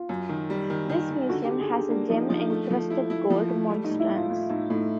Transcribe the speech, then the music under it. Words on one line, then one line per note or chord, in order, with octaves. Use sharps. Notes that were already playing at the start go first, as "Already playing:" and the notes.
This museum has a gem-encrusted gold monstrance.
Already playing: F4
F#2
D#3
G3
D#3
D#3
D#3
D3 F#4
G4
D3
G#4
D3 G4
A#3 D4
F3 D#4
F3 D#4
A3
F3
E4
E4
F3
A3
G3
D#4
A2
E4
A2 F4
A2 F4
A2 D#4
A2 D#4